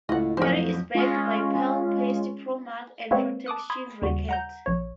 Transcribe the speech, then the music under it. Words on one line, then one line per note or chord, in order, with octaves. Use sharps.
Harry is backed by Pearl, Paiste, Pro-Mark and Protection Racket.
C#2 A2 F4 D#5 F#5
F2 A2 F#3 A#4 C5
G#3 C#4 F4
G#3 A#3 C4 B4 C#5 E5
A5 D6 D#6 F#6
B5 C6 D#6 G#6
D#2 C#3 G3 F#4
F#5 A#5 G6
A#1 C#5